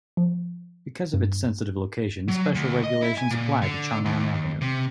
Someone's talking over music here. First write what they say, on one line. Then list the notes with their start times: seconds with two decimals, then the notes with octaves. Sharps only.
Because of its sensitive location, special regulations apply to Chang'an Avenue.
0.17 F3
1.14 G2
2.28 F#3
2.55 D2
2.83 D#5
3.01 E4
3.18 G#5
3.31 A#2
3.62 D3
4.05 D#2
4.61 C3